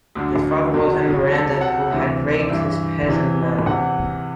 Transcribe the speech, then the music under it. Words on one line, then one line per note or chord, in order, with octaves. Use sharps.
His father was a Miranda who had raped his peasant mother.
D2 D3 F#3
E2 B2 F#3
C2 C3 F#3 A4
F#5
D2 C3 E3 E5
D5
G2 E3 E5
E2 C3 E3
E2 C3 E3 F#5